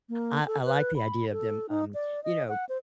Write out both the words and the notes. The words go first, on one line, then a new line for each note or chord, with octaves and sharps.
I I like the idea of them, um, you know,
A#3
A4
B4
B5
A4
D#4
D5
D#5
F#5
C5